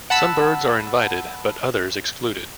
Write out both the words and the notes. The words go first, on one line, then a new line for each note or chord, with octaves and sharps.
Some birds are invited, but others excluded.
F#5 A5 B5 E6